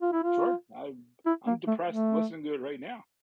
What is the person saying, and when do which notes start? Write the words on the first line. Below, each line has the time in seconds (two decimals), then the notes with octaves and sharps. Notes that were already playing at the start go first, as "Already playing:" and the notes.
Sure, I'm I'm depressed listening to it right now.
0.02 F4
0.12 E4
0.23 F4
1.26 E4
1.47 A#3
1.67 A3
1.88 A3